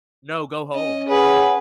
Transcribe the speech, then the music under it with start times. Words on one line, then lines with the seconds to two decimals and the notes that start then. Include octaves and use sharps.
"No, go home.
0.75 C#4 D#5
1.09 G#4 B4 C#5 F#5